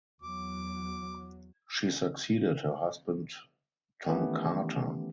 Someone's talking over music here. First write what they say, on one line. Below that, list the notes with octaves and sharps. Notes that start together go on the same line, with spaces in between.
She succeeded her husband Tom Carter.
E2 F#3 D6
D#3 E3 A3 B3 C#4 G4